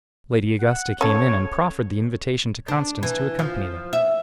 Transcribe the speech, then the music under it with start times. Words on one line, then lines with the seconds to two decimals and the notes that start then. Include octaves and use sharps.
Lady Augusta came in and proffered the invitation to Constance to accompany them.
0.61 F#5
1.01 C#4 A4 C#5
2.68 D4
3.03 E3
3.39 F3
3.93 E5